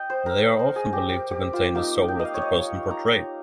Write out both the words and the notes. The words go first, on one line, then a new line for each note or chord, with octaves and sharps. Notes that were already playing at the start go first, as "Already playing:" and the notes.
They are often believed to contain the soul of the person portrayed.
Already playing: D#5 G5
C5
A#4
C5
G#4
G4
G4
G4
F4
A#3 D#4 G4
G5
D#5
F5
C#5
D#5
C#5
A#5